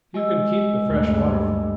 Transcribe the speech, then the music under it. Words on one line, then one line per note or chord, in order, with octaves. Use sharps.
"You can keep the freshwater fish!"
G#3 D#5 E6
D2 G2